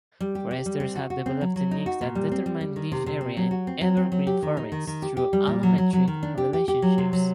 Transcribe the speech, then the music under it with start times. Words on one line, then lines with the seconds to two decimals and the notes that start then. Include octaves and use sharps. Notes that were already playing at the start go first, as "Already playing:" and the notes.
Foresters have developed techniques that determine leaf area in evergreen forests through allometric relationships.
0.20 G3
0.35 G4
0.51 G4
0.66 G3
0.80 C4
0.96 F#4
1.10 F#4
1.26 C4
1.41 F#3
1.56 F#3
1.71 D#4
1.86 F#4
2.01 A#2
2.15 G3
2.32 C4
2.46 G3
2.61 G3
2.76 D#3
2.92 C3
3.06 C3
3.21 C4
3.37 F#3
3.51 F#4
3.67 C4
3.81 F#3
3.97 C4
4.12 F#3
4.27 G4
4.42 D#3
4.57 D#4
4.72 D#3
4.87 D#3
5.02 G4
5.17 G4
5.33 G3
5.47 A#2
5.63 F#3
5.78 F#3
5.93 F#3
6.08 D#3
6.23 D4
6.38 G4
6.53 G4
6.68 G4
6.82 F#3
6.98 C3
7.13 F#3